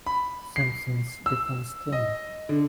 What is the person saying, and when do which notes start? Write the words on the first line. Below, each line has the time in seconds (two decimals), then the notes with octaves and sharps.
Simpson's defense team.
0.06 B5
0.56 C7
1.26 E6
1.93 D#5
2.49 D3